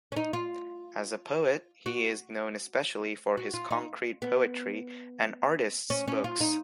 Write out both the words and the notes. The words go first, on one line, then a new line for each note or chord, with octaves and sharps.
As a poet he is known especially for his concrete poetry and artist's books.
C#4
D#4
F4
F#4
F#4
F4
D#4
B3
C#4
C#4
F4
D#4